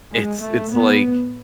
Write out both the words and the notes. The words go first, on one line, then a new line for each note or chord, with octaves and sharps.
it's it's, like,
G#3
A3
A2 B3